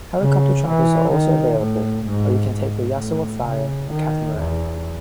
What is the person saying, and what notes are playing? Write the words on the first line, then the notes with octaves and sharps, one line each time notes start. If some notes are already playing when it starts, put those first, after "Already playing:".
Helicopter charters are also available or you can take the Yasawa Flyer, a catamaran.
C#3
E3
D#3
A2
G#2
G#2
A2
C#3
D#3
E2